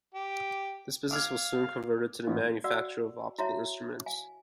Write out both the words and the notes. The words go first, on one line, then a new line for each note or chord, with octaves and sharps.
This business was soon converted to the manufacture of optical instruments.
G4
F5 D6 F6 G#6
A1
F#4 D5 F5 F#5 E6
E4 F#4 C#5 E5 F5 A5
F5 G#5